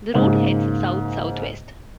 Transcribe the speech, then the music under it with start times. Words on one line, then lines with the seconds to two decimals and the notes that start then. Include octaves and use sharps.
The route heads south-south-west.
0.14 G#2 C#3 A#3